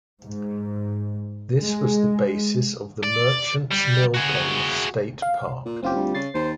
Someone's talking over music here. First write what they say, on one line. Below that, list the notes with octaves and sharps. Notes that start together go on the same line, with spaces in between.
This was the basis of the Merchants Millpond State Park.
G#2
G#3
D5
G3
F#4 G#4
F5
A#2
F#1 C4 F4 G4
D2 G3
C#3 A6 C7
D#2 C5